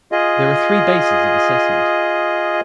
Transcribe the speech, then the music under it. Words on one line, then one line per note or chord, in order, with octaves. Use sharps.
There are three bases of assessment.
F4 G#4 D#5